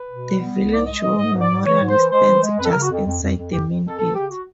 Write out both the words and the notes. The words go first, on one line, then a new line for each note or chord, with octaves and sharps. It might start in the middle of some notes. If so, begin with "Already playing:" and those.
The village war memorial stands just inside the main gate.
Already playing: B4
B2
G3
B3
C2
G#2 D5
G#3 D#5
E3 D#5
G#2 D#5
G#2
D5
G#2
E3 C#5
G#2
C5
E3
G#3 C5
E3
G#3
F2 B4
A4
A#4
C#3
F#4
F2
F2
F2
F2
F2 G4
F2
F2 A4
E3 A4
C#3 G4
F#4